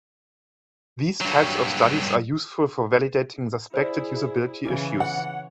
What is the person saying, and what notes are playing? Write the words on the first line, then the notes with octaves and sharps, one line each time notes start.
These types of studies are useful for validating suspected usability issues.
G2 F#3
E4 G#4 C5 D5
C#3 E3 C#5
F#5